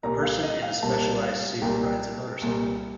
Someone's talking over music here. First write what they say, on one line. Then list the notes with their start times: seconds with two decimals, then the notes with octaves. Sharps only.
A person in a specialized suit rides a motorcycle.
0.03 C2 A#2 G3 A#3 A#5
0.23 F5
0.43 D#5
0.62 F5
0.82 C2 A#2 G3 A#3 A5
1.23 F5
1.61 C2 A#2 G3 A#3 G5
2.41 C2 A#2 G3 A#3